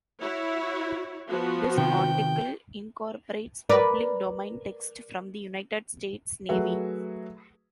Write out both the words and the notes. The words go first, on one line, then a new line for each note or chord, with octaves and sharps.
This article incorporates public domain text from the United States Navy.
E4 F#4 C#5
F3 B3 F#4
C3 D#3 G5
A#4 B4 D5
F#3 A3 F#4 G#4 B4 E5